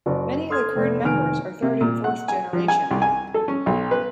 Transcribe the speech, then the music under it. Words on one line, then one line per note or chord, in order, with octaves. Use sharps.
Many of the current members are third and fourth generation.
F#1 F#4 D5
A4 C6 D#6 F6 G#6
F1 A3 B3 D5
F1 D#3 G#5 F6 D7
C3
A#2
F#5
G#5
F3
G#5
C2
G#5
A4
C#4
B1
B4